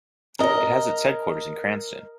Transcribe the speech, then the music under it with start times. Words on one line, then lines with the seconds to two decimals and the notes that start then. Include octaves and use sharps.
It has its headquarters in Cranston.
0.39 A#4 D#5